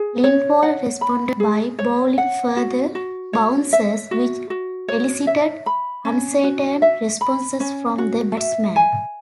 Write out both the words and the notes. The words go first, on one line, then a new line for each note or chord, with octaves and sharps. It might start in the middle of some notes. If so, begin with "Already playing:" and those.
Lindwall responded by bowling further bouncers, which elicited uncertain responses from the batsman.
Already playing: G#4
C#5
F#5
B5
G#4
C#5
F#5
F#4
F#4
C#5
E5
F#4
F#4
C#5
E5
B5
C#4
F#4
E5
B5
C#4
F#4
E5
G#5